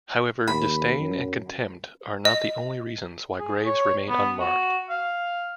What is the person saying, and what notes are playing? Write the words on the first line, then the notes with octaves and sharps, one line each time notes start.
However, disdain and contempt are not the only reasons why graves remain unmarked.
D#2 B5
F#2
D#5
G#4
C#5
B3
F#4
F5